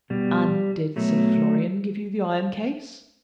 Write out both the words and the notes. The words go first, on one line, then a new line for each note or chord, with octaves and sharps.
"And did Sir Florian give you the iron case?"
B2 G3
B2 F#3 A3